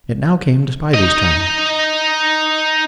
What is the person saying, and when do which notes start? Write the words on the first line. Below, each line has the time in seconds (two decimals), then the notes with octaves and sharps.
It now came to Spivey's turn.
0.94 D#4 D#5